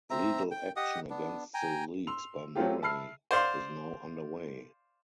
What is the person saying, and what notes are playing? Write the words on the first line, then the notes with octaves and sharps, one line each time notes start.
Legal action against the leaks by Murray is now underway.
C4 E5 A#5
G5
G4 D#5 F#5 D#6
B3 D4
G5 G#5 A#5
C6 E6 F7
F#3 A3 C4 F4 G4
E5 A5 B5 E6 F6 C7
C5 D5 F5 C6